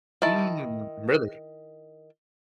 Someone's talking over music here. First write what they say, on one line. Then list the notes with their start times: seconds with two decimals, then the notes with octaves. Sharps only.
Mm, really?
0.22 D#3 E4 A5